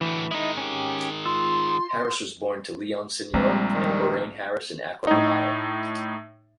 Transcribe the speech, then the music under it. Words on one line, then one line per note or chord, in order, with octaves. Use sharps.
Harris was born to Leon Senior and Lorrene Harris in Akron, Ohio.
D2 A2 E3
D#3 G#3 D#4 E4
C#4 G4
F4 C6 E6
A#1 G3 G#3 C4 A#5
D#3
A2 D#4